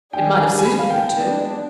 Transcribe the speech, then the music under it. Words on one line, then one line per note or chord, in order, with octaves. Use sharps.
It might have suited her too.
D#3 G3 D4 G#4 G5
G#5
G#5
B5
F5
G5
G5
G#3 B3 D4